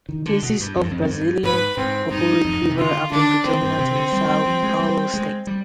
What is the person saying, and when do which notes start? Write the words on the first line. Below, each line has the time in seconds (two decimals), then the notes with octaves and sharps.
Cases of Brazilian Purpuric Fever have been predominant in the Sao Paulo state.
0.09 D#3
0.26 D3
0.43 B2
0.60 G2
0.76 F2
0.83 G2
0.91 F2
1.02 F2
1.10 G2
1.43 G#2 B4
1.77 G#2 C4
2.11 G2 D#4
2.44 F2
2.53 G#2
2.62 B2
2.69 C3
2.78 D3 F4
3.11 D3 D4
3.45 D#3 C4
3.63 G2
3.79 C3
3.95 D3
4.13 G3
4.30 G3
4.46 F3
4.63 G#3
4.80 G3
5.14 G#3
5.47 G3